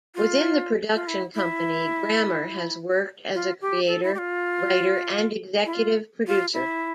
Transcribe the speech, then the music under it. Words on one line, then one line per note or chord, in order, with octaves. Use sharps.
Within the production company, Grammer has worked as a creator, writer, and executive producer.
F4
F4
E4
E4
F4
G4
A4
E4
G4
F4
E4
F4
F4
E4